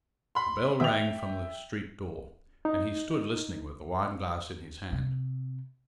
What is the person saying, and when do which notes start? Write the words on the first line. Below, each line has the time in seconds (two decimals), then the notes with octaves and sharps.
The bell rang from the street door, and he stood listening with the wine-glass in his hand.
0.35 B5 C6
0.80 D#3 B3 E5 G5 D#6 F7
2.65 D#4
4.92 C3